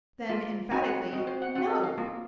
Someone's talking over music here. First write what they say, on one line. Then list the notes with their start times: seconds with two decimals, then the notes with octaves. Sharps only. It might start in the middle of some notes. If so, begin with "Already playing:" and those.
Then, emphatically, "No!"
0.29 A#3 F4
0.71 C4 D#4 F#4 G#5
0.84 F#5
1.13 C4 D#5
1.18 F#4
1.27 C5
1.42 F#5
1.55 C4 F#4 F#5
1.70 D#5
1.84 F5
1.98 A#3 F4